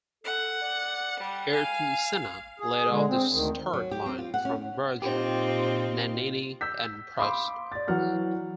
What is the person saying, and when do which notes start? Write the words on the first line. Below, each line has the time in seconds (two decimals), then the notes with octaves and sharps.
Ayrton Senna led off the start line from Berger, Nannini and Prost.
0.24 A4 F#5
0.62 D5
1.20 G3
1.53 F5 G#5
2.60 G#4
2.90 D3 G#3
3.09 C4
3.33 D2 D#3
3.73 F#3
3.91 G4
4.06 C4
4.18 F4
4.34 F#5
4.45 C#4
5.02 A#2 C4 D#4 F4 G4
6.61 E6 G6 B6
7.18 F5 B5 C6 D6
7.72 D5 A6
7.88 E3 F#3 F#5 F6